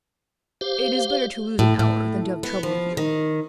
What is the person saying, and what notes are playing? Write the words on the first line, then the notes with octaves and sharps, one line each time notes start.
"It is better to lose an hour, than to have trouble here."
G4 C5 F5
A2
A2
B3
F3
D#3